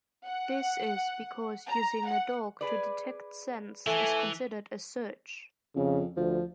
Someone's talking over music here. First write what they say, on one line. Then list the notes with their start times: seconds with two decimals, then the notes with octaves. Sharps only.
This is because using a dog to detect scents is considered a search.
0.25 F#5
1.68 A#5
2.07 F#5
2.61 G#4 B4 D5
3.87 E3 A3 G#5
5.76 F2 C#3
6.17 D2 F3